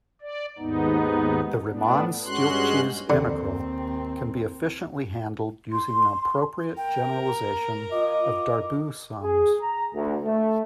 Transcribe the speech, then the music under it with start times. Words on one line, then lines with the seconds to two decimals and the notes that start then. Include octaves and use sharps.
The Riemann-Stieltjes integral can be efficiently handled using an appropriate generalization of Darboux sums.
0.22 D5
0.59 D#2 G#2 B3 D#4
1.68 A2 B3 D4
2.26 G2 G#3 C#4 F#4 C6 F#6
3.10 D#2 D3 C4
5.71 C6
6.77 A#4 G5
7.25 A#5
7.92 F4 D#5 D6
9.23 G#4
9.61 A#5
9.94 D2
10.24 A3